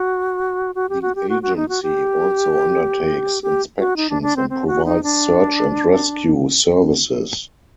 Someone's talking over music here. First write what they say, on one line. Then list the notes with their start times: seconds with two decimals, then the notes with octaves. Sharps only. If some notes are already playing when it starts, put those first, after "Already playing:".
The agency also undertakes inspections and provides search and rescue services.
Already playing: F#4
0.75 F#4
0.89 G4
1.02 F#4
1.15 G4
1.29 F#4
1.43 F#4
1.56 D#4
1.69 F#4
1.83 G4
3.43 G4
3.79 F#4
3.97 D#4
4.10 D4
4.22 D4
4.36 C4
4.50 C4
4.67 F#4
4.85 D#4
5.03 D4